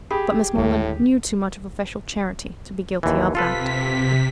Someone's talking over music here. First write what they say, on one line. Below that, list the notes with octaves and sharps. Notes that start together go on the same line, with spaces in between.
But Miss Moreland knew too much of official charity to be guilty of that.
G4 G#4 B5
D#2 A2 D3 G#3
D#2 E3
C3 F4 A4 B4 B6